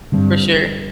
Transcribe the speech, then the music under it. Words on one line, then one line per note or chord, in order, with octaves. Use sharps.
for sure.
G2 D3 G3 C4